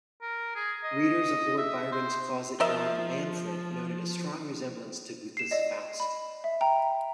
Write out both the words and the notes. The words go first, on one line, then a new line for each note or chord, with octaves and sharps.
Readers of Lord Byron's closet drama "Manfred" noted a strong resemblance to Goethe's "Faust".
A#4
G#4
D#5
E5
C5
F3 A#4 D#5 E5
C7 E7
D5 D#5
B5
E5
G5 A#5